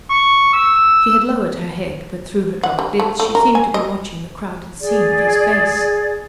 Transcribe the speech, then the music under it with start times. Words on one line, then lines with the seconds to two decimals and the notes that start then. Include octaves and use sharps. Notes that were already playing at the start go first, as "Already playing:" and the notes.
She had lowered her head, but through her dropped lids she seemed to be watching the crowded scene of his face.
0.10 C#6
0.53 E6
2.63 F#5
2.79 G3
3.00 A3
3.20 A3
3.35 A#4
3.55 G#5
3.74 D#5
4.80 G#4 D5